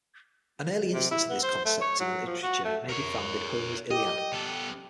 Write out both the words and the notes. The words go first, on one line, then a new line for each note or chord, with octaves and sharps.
An early instance of this concept in literature may be found in Homer's "Iliad".
C3
E4
B3
C5
A3
C#5
F#3
F3
F#4
A3
A#4 C#5
G4 D#5
B3 A4